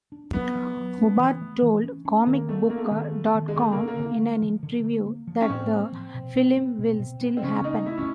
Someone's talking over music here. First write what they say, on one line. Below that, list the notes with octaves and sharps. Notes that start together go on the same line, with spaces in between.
O'Barr told comicbook dot com in an interview that the film will still happen.
D4
F#3 B3
F#3
F#3
C#4
E3
A3
E3
C#4
C#4
D#3 A#3
A3 B3
A#3 B3
A3
G#3
D#3 A3
B3
D#3
G#3
D3 A3
A#3
D3
A#3
D3
G#3
F3
D3
A#3
A#3
F3
C#4
A2 C4
A#3
F3
B2
B3
B3
B2
B2
B3
C4
C#3 C#4
A3 D#4
A3 E4
C#4